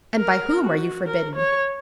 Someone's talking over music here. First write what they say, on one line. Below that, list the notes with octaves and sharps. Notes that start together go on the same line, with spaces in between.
"And by whom are you forbidden?"
A#4
F#4
A#4
C#5